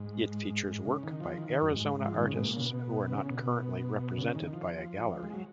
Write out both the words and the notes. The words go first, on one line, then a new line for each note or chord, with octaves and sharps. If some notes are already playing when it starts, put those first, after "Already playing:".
It features work by Arizona artists who are not currently represented by a gallery.
Already playing: G#2
G#2
C#3
D#3
F3
D#3
D#3
F#2
G#2
F3
D#3
C#3
B2
A#2
C#3
B2
C#3
B2
C#3
D#3
F3
G#3
F#3